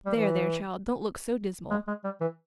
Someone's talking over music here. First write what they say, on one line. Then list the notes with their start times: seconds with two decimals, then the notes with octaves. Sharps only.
There, there, child, don't look so dismal.
0.06 G3
0.15 E3
1.71 G#3
1.88 G#3
2.04 G3
2.21 E3